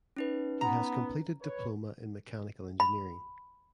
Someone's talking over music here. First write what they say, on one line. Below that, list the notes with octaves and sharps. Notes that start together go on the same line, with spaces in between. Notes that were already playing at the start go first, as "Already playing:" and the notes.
He has completed Diploma in Mechanical Engineering.
C#4 D#4 B4
B3 A#5
B4 C#5
B5